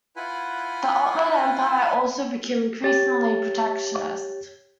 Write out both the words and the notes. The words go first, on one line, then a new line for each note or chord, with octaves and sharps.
The Ottoman Empire also became increasingly protectionist.
E4 F4 B4 F#5 G#5 B5
G4 C#5 A6